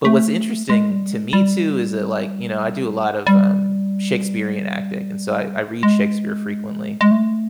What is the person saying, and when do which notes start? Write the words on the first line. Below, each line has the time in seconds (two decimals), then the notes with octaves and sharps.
But what's interesting to me, too, is that, like, you know, I do a lot of, um, Shakespearean acting and so I I read Shakespeare frequently,
0.05 A3
0.70 G#3
0.91 G3
1.11 G#3
1.33 G3
3.27 G3
5.83 G#3
7.01 G#3
7.11 A3